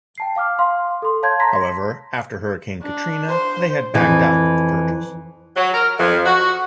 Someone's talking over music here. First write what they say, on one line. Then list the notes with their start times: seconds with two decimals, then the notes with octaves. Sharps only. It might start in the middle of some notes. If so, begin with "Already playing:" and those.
However, after Hurricane Katrina, they had backed out of the purchase.
0.18 G5 A5 C7
0.36 F5 D6 F6
0.59 F5 C6
1.02 A4 C6
1.23 C#5 F5 A5 C6 G6 G#6
1.40 A5 A#5 C6 A#6 B6
2.82 D4
3.29 C5
3.94 F2 E3
5.56 F#3
5.74 A#4
5.98 F2
6.25 F#4